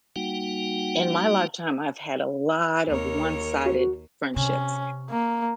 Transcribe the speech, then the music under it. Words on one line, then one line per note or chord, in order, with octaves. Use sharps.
In my lifetime, I've had a lot of one-sided friendships,
G3 A#3 D#4 F#4 F#5 G5
D#2 A#4 C#5
F#4
C3 C#4
A#3